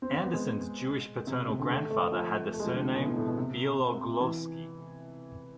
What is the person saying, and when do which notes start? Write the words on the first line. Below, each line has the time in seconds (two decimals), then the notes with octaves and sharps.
Anderson's Jewish paternal grandfather had the surname Bieloglovski.
0.02 C4
0.12 C4
0.23 B3
0.33 G#3
1.27 C3
1.49 C3
1.59 D3
1.69 A3
1.90 A3
2.12 F3
2.53 A3
2.60 G#3
2.64 F3
2.74 D3
2.85 C3
2.95 B2
3.06 A2
3.16 A2
3.27 B2
3.37 C3
4.20 E3